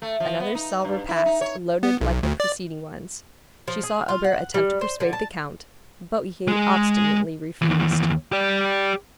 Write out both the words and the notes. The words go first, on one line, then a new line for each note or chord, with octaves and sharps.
Another salver passed, loaded like the preceding ones; she saw Albert attempt to persuade the count, but he obstinately refused.
A3
F3
B3
D#4
G2
E4
D#4
C#5
B3
B1
D2
D5
F3
G#4
F4
F#5
G3
C5
D3
A5
G#3 G#4
D#2 E3
G4 D5